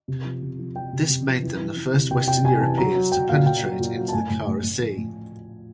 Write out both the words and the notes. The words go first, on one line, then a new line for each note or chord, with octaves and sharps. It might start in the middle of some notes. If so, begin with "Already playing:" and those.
This made them the first Western Europeans to penetrate into the Kara Sea.
C3
F3
C3
F3
F3 G5
C3
C3
F3
E3
E3
E3
C3
C3 G5
C3 G5
C3 G#5
E3 A5
F#3 A#5
F#3
F#3 G5
A#2 F5
A#2 G5
F#3
A#2
F#3
A5
A2 G#5
A2
A2
A2
F3
A2